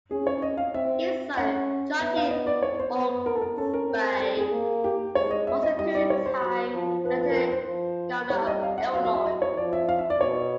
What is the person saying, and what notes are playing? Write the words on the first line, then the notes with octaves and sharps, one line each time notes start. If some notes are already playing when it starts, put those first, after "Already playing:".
His son, John G. Oglesby, was a two time Lieutenant Governor of Illinois.
C#4 G#4
C#5
D#5
F5
C4 E5
C#4 F#5
B3 E5
F5
D#5
D5
C#5
C5
B3
A#4
A4
A#4
C#4 A4
A#4
C4
A4
G#4
A#3
G4
G#3 C#5
D#5
E5
D#5
G3 D#5
D5
C#5
C5
F#3
F3
F3 B4
B4
A#4
B4
C5
F3
G3 C#5
D#5
F5
F#5
F#3 F5
F5
E5
D#5
C#5
F3 D5
E5
F5
E5
D5
B2 C#5